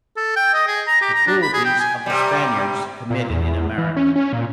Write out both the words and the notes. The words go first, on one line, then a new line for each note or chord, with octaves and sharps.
THE CRUELTIES OF THE Spaniards Committed in AMERICA.
A4
G5
D#5
G#4
A#5
G4
A#5
D4
B5
G#4
G5
G#5
C3 G3
A#2
E2
E3
C#4
C#4
A#2